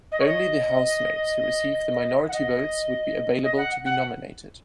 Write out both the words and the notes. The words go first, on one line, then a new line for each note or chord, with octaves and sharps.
Only the housemates who received the minority votes would be available to be nominated.
D#5
C#5
D#5
F#5
D#5
D#5
F#5
F#5